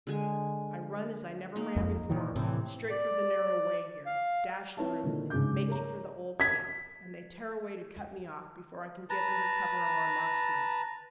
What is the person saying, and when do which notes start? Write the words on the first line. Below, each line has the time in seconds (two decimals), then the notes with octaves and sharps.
I run as I never ran before, straight for the narrow way here, dash through, making for the old camp, and they tear away to cut me off before I can get under cover of our marksmen.
0.07 D3 G#3 G#5
1.56 A#3 D#4
1.76 F2
2.10 A#2 D#3 E3
2.36 A2 C3 E3 C4
2.90 D5
4.06 F5
4.77 C4 E4 B4 C#5 E5 A5
5.03 A#2 D3 D#3
5.30 G#2 C#3 G#4 D6 G6
5.68 A#4 C#5 A#5
6.40 G#6 B6
9.10 B4 A5 A#5